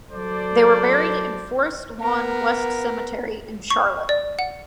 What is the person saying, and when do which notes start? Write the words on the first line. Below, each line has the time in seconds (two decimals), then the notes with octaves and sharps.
They were buried in Forest Lawn West Cemetery in Charlotte.
0.12 F#3 A4 C5 D5
2.01 B3 A#4
3.71 C#6
4.09 D5
4.39 F#5